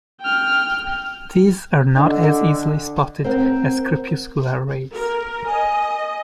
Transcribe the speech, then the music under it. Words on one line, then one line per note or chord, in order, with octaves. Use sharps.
These are not as easily spotted as crepuscular rays.
G5 F6
D3 D4 D#5
C4 A#4 F#5
A#4
D#5 G#5